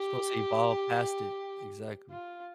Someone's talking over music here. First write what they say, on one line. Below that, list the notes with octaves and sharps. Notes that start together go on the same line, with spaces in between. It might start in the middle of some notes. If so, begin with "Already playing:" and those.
supposed to evolve past it. Exactly.
Already playing: G4
F4